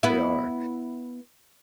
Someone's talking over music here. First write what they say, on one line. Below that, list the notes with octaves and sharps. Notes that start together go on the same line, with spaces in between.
They are,
B3 E4